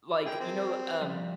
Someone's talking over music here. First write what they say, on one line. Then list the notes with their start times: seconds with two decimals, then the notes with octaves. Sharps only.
like, you know, um,
0.26 G#4 A#4 G5
0.40 C4
1.01 F3 G3